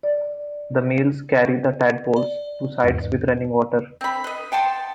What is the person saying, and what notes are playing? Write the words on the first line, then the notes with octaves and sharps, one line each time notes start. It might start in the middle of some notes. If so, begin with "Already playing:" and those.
The males carry the tadpoles to sites with running water.
D5
D5
E2 G#2
C4 B5
B4 D#5
F#5 G5 A5 C6